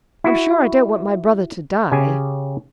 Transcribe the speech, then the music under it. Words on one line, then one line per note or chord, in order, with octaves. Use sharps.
"I'm sure I don't want my brother to die."
E4 F#4
C#3 G4 G#5